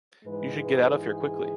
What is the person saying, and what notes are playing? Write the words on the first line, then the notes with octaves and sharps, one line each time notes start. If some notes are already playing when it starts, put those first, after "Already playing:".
You should get out of here quickly.
G#2 E3 G#3 B4
B4
G#4